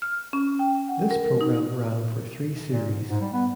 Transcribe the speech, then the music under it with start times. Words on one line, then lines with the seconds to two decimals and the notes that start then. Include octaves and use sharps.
This programme ran for three series.
0.02 F6
0.33 C#4
0.59 G5
0.88 F#5
1.11 A#4
1.41 D#4
2.70 A#2
2.91 G#2
3.08 G#2
3.21 G3
3.33 B3